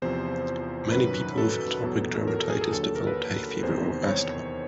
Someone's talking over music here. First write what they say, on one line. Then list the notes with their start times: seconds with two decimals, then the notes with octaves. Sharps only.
Many people with atopic dermatitis develop hay fever or asthma.
0.02 E2 C3 F3 C5
0.92 F#2 D#3 F#3 B4
1.38 A4
1.83 E2 B2 F#3
2.28 A#4
2.39 A4
2.50 G#4
2.61 A4
2.73 D#2 D3 F#3 A4
2.83 A4
2.96 A#4
3.07 B4
3.63 E2 C3 D#3 C5
4.08 C#5